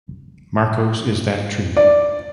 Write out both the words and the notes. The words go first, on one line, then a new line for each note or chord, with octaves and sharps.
Markos is that tree.
D5